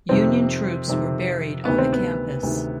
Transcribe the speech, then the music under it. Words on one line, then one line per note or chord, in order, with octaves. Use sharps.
Union troops were buried on the campus.
F2 C3 D#3 C4
F2 C3 D#3
D2 C3 D#3 B3
C4
B3
D2 C3 D#3